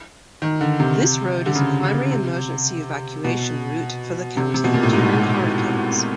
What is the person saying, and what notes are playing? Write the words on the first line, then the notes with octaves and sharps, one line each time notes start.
This road is a primary emergency evacuation route for the county during hurricanes.
D#3
D3
C3
D3
C#3
C#3
C3
B2
C3
C3
B2
A#2
A2
G#2